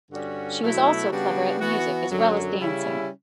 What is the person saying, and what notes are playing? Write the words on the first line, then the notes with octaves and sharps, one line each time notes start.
She was also clever at music as well as dancing.
G2 D3 G3 C#4 F#4
B2 F#3 A3 E4
C#3 G3 B3 D4 F#4
E3 B3 F#4
F#2 D3 F#3
C#3 G3 C#4 E4